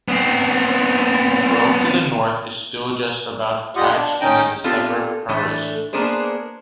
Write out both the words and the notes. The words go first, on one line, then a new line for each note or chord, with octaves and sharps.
Grove to the north is still just about detached and is a separate parish.
B3 C4
F2 G3 F4 G4 D#5 F#5
D4
D#3 C#4 D#4 D#5 G5
B3 C4 D4 F4 G4 A4
A2 E3 A3 D4
A#3 B3 D4 G#4 C5